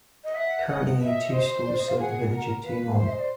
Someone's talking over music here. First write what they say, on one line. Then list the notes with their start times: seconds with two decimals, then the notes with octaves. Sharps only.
Currently only two schools serve the village of Tumon.
0.24 D#5
0.34 E5 F#5
0.67 D#5 F#5
1.01 D#5 E5
1.33 C5
1.66 D5
1.77 D#5
1.88 F5
1.99 G#4 F#5
2.32 A#4
2.64 B4 F5
2.97 C5
3.02 E5
3.08 D#5
3.19 D5